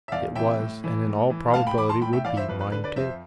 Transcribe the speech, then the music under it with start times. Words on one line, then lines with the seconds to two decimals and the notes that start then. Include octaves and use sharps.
It was, and in all probability would be, mine too.
0.08 E5
0.12 E2 D5 F5
0.35 C3 E3 E5 G5
0.59 A2
0.84 E3
1.07 A2
1.30 E3
1.54 A2 F5 A5
1.67 G5 B5
1.78 E3 B5 D6
1.89 A5 C6
2.01 A2 G5 B5
2.13 E5 G5
2.25 E3 D5 F5
2.37 C5 E5
2.48 F2 B4
2.60 B4
2.72 D3 B4
2.84 B4 D5
2.96 F2 C5 E5